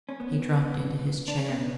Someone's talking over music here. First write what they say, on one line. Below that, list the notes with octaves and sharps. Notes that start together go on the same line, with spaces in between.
He dropped into his chair.
C#4
B3
D4
C#4
B3